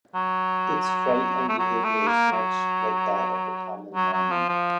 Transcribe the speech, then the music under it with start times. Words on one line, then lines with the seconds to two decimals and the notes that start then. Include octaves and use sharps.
Its flight and behaviour is much like that of the common Mormon.
0.15 F#3
1.49 A3
1.59 F#3
1.84 A3
2.08 A#3
2.32 F#3
3.94 F#3
4.13 F#3
4.31 F3
4.49 F3